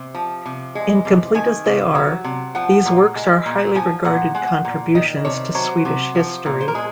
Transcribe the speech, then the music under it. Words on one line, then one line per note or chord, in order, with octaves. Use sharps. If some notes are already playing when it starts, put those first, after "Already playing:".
Incomplete as they are, these works are highly regarded contributions to Swedish history.
Already playing: C3
F3
C3
G#3
C3
D#3 G#5
C3
F#3
C3
F3 F#5
A#2
G#3
A#2
F3 G#5
A#2 F#5
G#3 F#5
A#2
D#3 D#5
C3 C#5
F#3 C5
C3
F3
A#2
C5
A#4
G#3 G#4